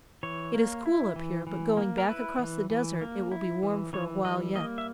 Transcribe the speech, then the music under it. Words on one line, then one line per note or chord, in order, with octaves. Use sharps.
It is cool up here, but going back across the desert it will be warm for a while yet.
E3 C#5
A#3
E4
E3
E3
A#3
A#4
E4 B4
E3
E3
A#3
E4
E3
E3 C#5
G3 D#5
A#3 D#5
E5